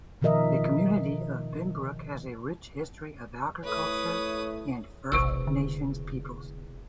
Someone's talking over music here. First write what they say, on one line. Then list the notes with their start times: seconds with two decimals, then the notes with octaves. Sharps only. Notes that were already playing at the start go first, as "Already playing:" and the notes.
The community of Binbrook has a rich history of agriculture and First Nations peoples.
0.22 B2 D#3 F3 A#4 D#5 E5
3.64 A3 E4 B4 C#5 D#6
5.12 E1 A#1 C3 C#6 E6
5.47 D3